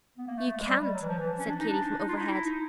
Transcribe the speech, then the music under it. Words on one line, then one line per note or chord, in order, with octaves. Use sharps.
"You can't," said Katy from overhead.
B3
A#3
A3
A3
G#3
G3
G3
F#3
E3
F3
E3
C#4
D4
D#4
D4
D#4
F4
E4
D#4
E4
D#4